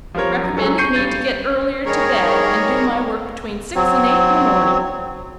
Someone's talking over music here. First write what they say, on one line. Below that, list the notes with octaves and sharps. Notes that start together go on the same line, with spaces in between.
Recommended me to get earlier to bed, and do my work between six and eight in the morning!
F3 G3 C4 A#4 C#5
F#2
F#3 G#3 C#4 A4 C#5
C#6 G6 C7 C#7 D#7
G2 A6 D#7
D#3 G3 G#4 A#4 C#5
F#3 C4